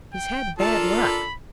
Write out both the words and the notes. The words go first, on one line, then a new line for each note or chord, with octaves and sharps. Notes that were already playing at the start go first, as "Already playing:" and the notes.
"He's had bad luck."
G5
D4 F4 A4 A#4 A5
B5